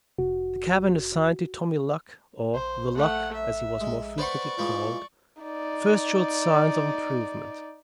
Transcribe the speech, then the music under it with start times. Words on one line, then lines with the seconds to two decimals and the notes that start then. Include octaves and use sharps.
The cabin assigned to "Tommy Luck"--or "The Luck," as he was more frequently called--first showed signs of improvement.
0.18 F1 F#4
2.54 A#1 C5
2.96 A3 F#5
3.33 E5
3.81 G#3
4.18 B4 C5 D5 F#5 C#6
4.57 E3 F3 G#3
5.42 D#4 D5